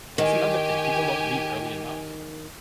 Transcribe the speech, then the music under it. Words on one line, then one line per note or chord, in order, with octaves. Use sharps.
That's another thing, people don't leave early enough,
D#3 G4 G#5